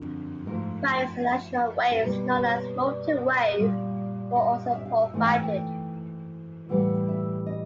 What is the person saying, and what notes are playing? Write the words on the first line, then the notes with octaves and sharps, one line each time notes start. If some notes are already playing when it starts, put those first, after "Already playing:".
Various additional "waves" known as "multiwave" were also provided.
Already playing: F2 D3
G#2 F3 A3 A#4
A#4
B2 G3 A#3 B4
C#5
D5
A#2 G3 A#3
D#5
E5
F5
E5
G#2 E3 A3 G#5
G5
F#5
G5
A2 E3 G3 A#3 F#5
E5
D#5